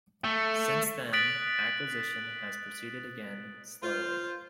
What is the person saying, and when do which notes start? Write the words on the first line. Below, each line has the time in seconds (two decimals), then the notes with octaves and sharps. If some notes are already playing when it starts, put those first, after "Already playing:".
Since then, acquisition has proceeded again slowly.
0.24 A3
1.13 D#6 F#6 A6 B6 D7 F#7
3.83 F4 C5